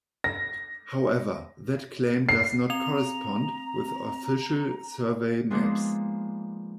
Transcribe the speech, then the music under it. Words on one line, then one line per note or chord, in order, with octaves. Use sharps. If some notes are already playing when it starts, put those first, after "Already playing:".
However, that claim does not correspond with official survey maps.
A#6
C7
C4 A#5 F7
F3 G#3 A#3 B3 D4 D#4